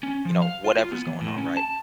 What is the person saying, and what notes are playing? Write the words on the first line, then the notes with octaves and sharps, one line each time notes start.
you know, whatever's going on, right?
C#4
F3
F5
F4
F4
B3
E3
A2
C#4
A5